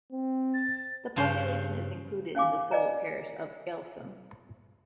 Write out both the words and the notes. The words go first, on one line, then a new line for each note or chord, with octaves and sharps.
The population is included in the civil parish of Aylsham.
C4
A6
G2 C#3 C5 C6
C#4 F5 G#5 D6
D5 D#5 G#5 A#5